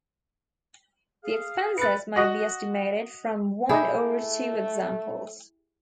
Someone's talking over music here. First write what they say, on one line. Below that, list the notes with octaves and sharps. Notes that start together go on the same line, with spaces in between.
The expenses may be estimated from one or two examples.
G#4 F5
B4 A6 C#7
F#4 D#5
A3 E4 G4 G#4